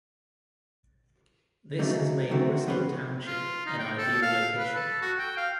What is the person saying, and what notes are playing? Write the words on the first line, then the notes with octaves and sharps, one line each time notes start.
This has made Bristol Township an ideal location.
C#3 F#3 A3 D#4
D#3 A3 C4 F#4
F2 B3 C#4 B4 C#5 C6
F4
D#4
G5
A4
F5
B4
A4
F#4
G5
F5